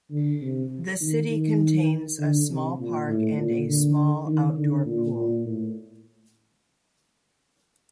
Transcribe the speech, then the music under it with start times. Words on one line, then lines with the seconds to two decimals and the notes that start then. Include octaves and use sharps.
The city contains a small park and a small outdoor pool.
0.10 D3
0.41 C3
1.01 D#3
1.30 D#3
2.19 D3
2.49 C3
2.79 A#2
3.08 A2
3.37 A#2
3.67 D3
4.26 D#3
4.57 D3
4.85 A#2
5.15 A#2
5.45 A2